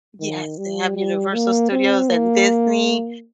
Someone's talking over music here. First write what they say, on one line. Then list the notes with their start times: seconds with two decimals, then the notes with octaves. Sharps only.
Yes, they have Universal Studios and Disney.
0.21 D#3
0.58 G3
0.96 G3
1.34 A#3
1.72 C4
2.10 A#3